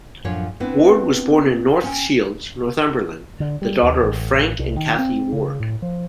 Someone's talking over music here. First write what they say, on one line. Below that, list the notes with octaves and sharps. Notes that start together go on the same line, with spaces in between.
Ward was born in North Shields, Northumberland, the daughter of Frank and Cathy Ward.
F#2 A2 F3 D4 F4 C#5
B3 C4 D4 E4 B4
C#4 G5
D3
G3
D#2
A1
C2
D#3
C4
C#3
A2
F3